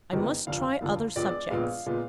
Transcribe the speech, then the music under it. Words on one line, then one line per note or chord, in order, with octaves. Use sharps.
"I must try other subjects."
F#1 F2 D#3 G#3 B3
F1 D#2 D3 F3 F5
F1 D#2 D3 F3
A#1 A#2 G#3 B3 D5
A#1 A#2 G#3 B3 F5
A#2 G#3 B3